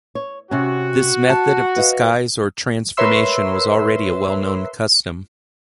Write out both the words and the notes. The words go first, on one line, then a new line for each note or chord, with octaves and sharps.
This method of disguise or transformation was already a well-known custom.
C#5
C3 C#4 F#4
A5
B4 D#5 F5
A#4 B4 C#5 E5 C6 E6